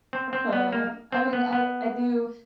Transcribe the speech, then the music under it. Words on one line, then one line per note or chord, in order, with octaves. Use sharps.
oh yeah. I mean, I I do
C4
C4
B3
A#3
C4
B3
B3